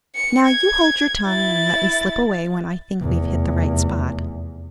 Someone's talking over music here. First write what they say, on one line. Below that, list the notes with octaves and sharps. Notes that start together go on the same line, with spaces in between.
Now you hold your tongue, and let me slip away when I think we've hit the right spot.
C#7
G#6
E4 A6
F1 E2